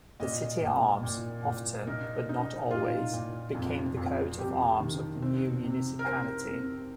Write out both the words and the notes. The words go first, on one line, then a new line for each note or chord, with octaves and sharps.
The city arms often-but not always-became the coat of arms of the new municipality.
A#2 D#5
A#2
A#2
A#2
D#4 A#4
D#4
A#2 F4
A#2
F2
F2
F2 G4
D#3
C4
C3
A#4
C4 C5
C4